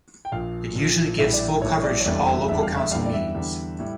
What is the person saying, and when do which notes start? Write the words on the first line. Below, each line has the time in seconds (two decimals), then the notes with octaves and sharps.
It usually gives full coverage to all local council meetings.
0.25 G5
0.32 A#1 A#2 F3 F5
0.76 A#1 A#2 F3
1.18 A#1 A2 E3 G3 E5
1.33 D5
1.61 A#1 A2 E3 G3 C#5
1.84 D5
2.00 C#5
2.05 F1 E2 D3 G3 D5
2.27 E5
2.49 F1 E2 D3 G3 E5
2.63 F5
2.77 E5
2.91 E2 D3 G3 F5
3.06 D5
3.13 E5
3.35 E2 D3 G3
3.79 A2 G3